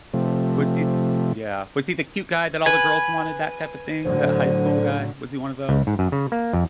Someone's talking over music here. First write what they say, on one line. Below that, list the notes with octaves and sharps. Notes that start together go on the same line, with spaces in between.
Was he Yeah. Was he the cute guy that all the girls wanted, that type of thing? That high school guy? Was he one of those?
C3 F3 A3
B4 G#5
A2 D3 F#3 C5
C#2
G#2
F#2
C#3
A#3
F2